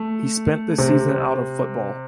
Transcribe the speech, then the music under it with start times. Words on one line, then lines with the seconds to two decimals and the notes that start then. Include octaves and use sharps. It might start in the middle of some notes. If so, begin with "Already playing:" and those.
He spent the season out of football.
Already playing: A3
0.78 C3